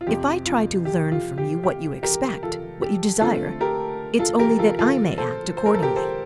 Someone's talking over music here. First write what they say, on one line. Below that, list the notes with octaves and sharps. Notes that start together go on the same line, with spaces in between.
"If I try to learn from you what you expect, what you desire, it's only that I may act accordingly."
F4
F2 C3 F3 G4
F4
G4
F4
G4
G4
G4 A#4
F4 A4
G4
D3 A3 C4 F4 A4
G4 A#4
F4 A4
G4 A#4
F4 A4
F4 A4
A4 C5
C5
A#4
A4
G4 A#4
A4 C5